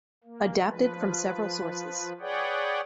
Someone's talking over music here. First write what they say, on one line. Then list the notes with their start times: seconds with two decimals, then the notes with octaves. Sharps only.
Adapted from several sources.
0.24 A#3
0.68 F3 B4
2.20 G#4 B4 C#5 D5 F#5 G5